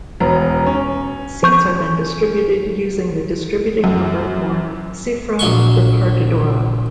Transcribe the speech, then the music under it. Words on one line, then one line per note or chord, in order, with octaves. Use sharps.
Seats are then distributed using the distributing number, or "cifra repartidora".
E1 B3 A#5
C#4
F3 C#6 G6
F#2
A#1 F#3 C6 C#6